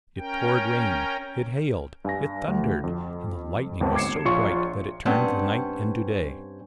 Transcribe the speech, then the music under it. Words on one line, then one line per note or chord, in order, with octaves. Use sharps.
It poured rain, it hailed, it thundered, and the lightning was so bright that it turned the night into day.
C#4 A#4 G5
G2 G#5 A#6
D2
F2
G1 D#2 G#2 B3 C4 A5
D6 G#6 C7 C#7 E7
A#1 F4 C#5 C6 C#6 C#7
G2 C4 C#4 F#5